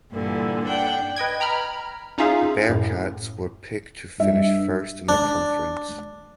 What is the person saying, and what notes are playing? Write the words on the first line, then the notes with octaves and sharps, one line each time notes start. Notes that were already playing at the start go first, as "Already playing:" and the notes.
The Bearkats were picked to finish first in the conference.
G2 A#2 D3 E3
D4 F#5 G5
B4 D#5 G5 G#6
G5 A#5 B5 F6
C#4 D#4 F4 G#4 E5 F5
F#2 A2
G2 E5
D4